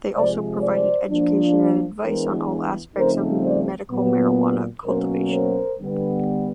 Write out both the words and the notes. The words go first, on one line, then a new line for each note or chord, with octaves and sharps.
They also provided education and advice on all aspects of medical marijuana cultivation.
C3 F3 G#3 C5 D5
C5 D5
F3 A#3 D4
E3 G#3 B3 D4 A#4 C5
C#3 F3 A3 C4 D#4 A#4 C5
C5 D5
A#2 F#3 B3
B2 F#3 A#3 C#4 A#4 C5
A#4 C5
D3 G3 B3